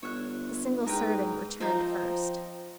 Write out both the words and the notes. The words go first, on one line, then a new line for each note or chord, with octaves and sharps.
The single servant returned first.
G1 C#5 E5 F#6
G#2 A#4 B4 G5
F3 C4 D#4 A#5